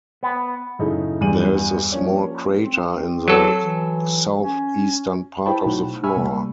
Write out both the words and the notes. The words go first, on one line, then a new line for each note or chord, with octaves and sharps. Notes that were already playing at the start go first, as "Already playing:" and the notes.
There is a small crater in the southeastern part of the floor.
B3
F#2 A2 C#3 A3 D#4 E4
E2 G2 G3 G#4 D#7 F#7
F3 A#3 C#4 D5
C4
F#3 A4
E3
C#4
E4 G#4 C5 G5 A5 B5
B2 F#3 A3 D#4 F#4
E5 G#5 B5 C#6 E6 F6
C3 G3 A3 A#3